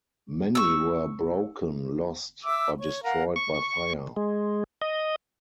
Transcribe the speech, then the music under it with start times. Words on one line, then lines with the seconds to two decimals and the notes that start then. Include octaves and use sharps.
Many were broken, lost, or destroyed by fire.
0.55 C#6 E6
2.44 E5 D6 E6
2.80 C#5 C#6
3.04 A#4 F5 F#5
3.36 C#6
4.16 G#3
4.82 D#5